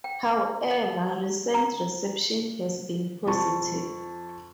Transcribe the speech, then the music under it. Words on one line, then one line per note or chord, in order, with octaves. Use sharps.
However, recent reception has been positive.
G5
D#5
A#5
F2 A5 C#6